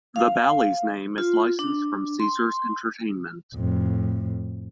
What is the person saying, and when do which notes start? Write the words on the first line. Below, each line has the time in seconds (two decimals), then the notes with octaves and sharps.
The Bally's name is licensed from Caesars Entertainment.
0.16 F5
1.18 F4
1.59 D4
2.20 C6
3.55 F2 A2